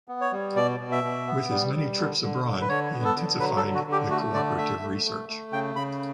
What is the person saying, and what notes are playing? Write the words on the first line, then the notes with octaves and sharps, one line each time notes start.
With his many trips abroad, he intensified the cooperative research.
B3
C#5
G3
B2 D5
B2
E5
B2
B3
G3
G3
D3
D3
D3
B4
D3 C#5
B3
A4
D3
F#3 B4
A4
D3
F#4
D3
G4
A3 F#4
D3 D5
A3 E5
A3
A3
A3
C#3 G5
C#3 B5